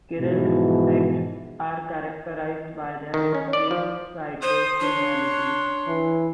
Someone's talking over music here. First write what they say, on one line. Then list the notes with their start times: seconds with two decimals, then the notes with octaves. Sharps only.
Kirill's texts are characterized by their extreme citationality.
0.20 G#2 B2 E3 F3
3.14 D#3
3.35 C#4
3.53 D5
3.71 F3
4.43 C5 C6 D#6
4.80 D4 C#5
5.88 E3